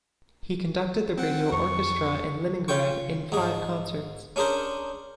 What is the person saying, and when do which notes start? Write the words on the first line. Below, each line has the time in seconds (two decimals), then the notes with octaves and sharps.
He conducted the radio orchestra in Leningrad in five concerts.
1.18 C4 F#5
1.52 F2 C#6
2.68 F4 C#5 G5 C#6
3.32 G#2 G#4
4.36 C#4 D4 G#4 A#4 C5